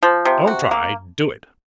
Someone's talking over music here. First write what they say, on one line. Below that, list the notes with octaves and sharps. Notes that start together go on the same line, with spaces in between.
"Don't try--do it."
F3
C3
F#4
A#3